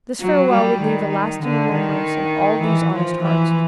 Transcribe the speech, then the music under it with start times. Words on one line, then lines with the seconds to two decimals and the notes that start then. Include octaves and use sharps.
This farewell would leave a lasting remembrance in all these honest hearts.
0.21 F#3
0.51 G3
0.82 D#3
1.42 D3
1.72 D#3
2.62 E3
2.93 F3
3.23 E3